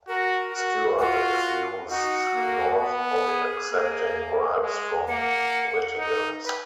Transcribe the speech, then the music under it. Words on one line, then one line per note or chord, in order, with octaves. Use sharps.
Stewart accused North of accepting bribes from litigants.
F#4 A#4
F#4
F4 F#4
D#4 F#4
A#3
B3
G#4
A#3
G#3
A#3 F#5
D#4
B4